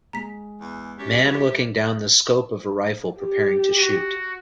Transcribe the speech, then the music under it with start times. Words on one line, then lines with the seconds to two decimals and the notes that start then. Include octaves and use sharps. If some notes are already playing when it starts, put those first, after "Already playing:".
Man looking down the scope of a rifle preparing to shoot.
0.13 G#3 A#5 B6
0.61 E2
0.98 F#2 G4 E5
3.18 G4
3.77 F#4